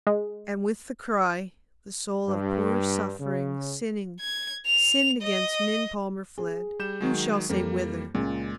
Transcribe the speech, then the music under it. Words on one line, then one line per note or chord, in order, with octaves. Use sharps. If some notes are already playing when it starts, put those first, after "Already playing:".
And with the cry, the soul of poor suffering, sinning, sinned-against Min Palmer fled--who shall say whither?
G#3
G2
C#3
G#6
F7
D#5
G#4
G3 G6 E7
D#3 F#3 G#3
F2 G3 A#3
C#2 A#2 G#3